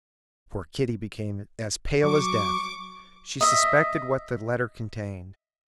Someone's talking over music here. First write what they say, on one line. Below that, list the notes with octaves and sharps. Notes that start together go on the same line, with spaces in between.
Poor Kitty became as pale as death; she suspected what the letter contained.
F#3 C#6 D6
D#5 E5